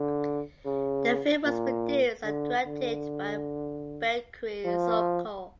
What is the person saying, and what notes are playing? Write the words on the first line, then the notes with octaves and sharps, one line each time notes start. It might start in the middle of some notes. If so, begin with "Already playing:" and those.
The film was produced and directed by Bakary Sonko.
Already playing: D3
C#3
A#2
D3
D3
F3